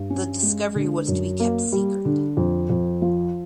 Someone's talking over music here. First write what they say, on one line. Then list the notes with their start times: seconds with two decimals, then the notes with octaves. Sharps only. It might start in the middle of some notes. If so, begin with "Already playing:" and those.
The discovery was to be kept secret.
Already playing: G2
0.10 C#4
0.43 G#3
0.75 D3
1.08 F#2
1.40 A#3
1.72 G3
2.05 D3
2.37 F2
2.70 F2
3.02 F3